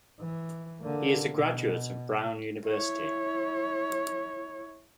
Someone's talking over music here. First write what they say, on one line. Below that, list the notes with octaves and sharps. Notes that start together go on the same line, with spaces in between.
He is a graduate of Brown University.
E3
D3 A#3
B2
E4 C#5